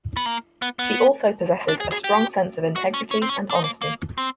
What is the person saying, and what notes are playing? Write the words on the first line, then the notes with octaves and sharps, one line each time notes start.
She also possesses a strong sense of integrity and honesty.
B3
A#3
B3
B3
D4
G#4
G#4
G4
F#4
C#4
C#4
C4
C#4
D4
D#4
A#3
A#3
C4